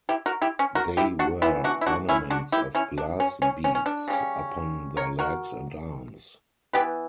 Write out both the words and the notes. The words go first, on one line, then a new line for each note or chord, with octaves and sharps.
They wear ornaments of glass beads upon their legs and arms.
E4 G4
F#4 A#4
E4 G4
C#4
F#4 A#4
E4 G4
D4 F#4
E3 B3 E4 G4
D4 F#4
E4
D4 F#4
C#4 E4
D4 F#4
E4 G4
C#4 E4
D4
C#4
C#4
C#4
C#4
D4
C#3 G3 C#4
A#4 C#5
F#4 A#4
E3 B3 G4 B4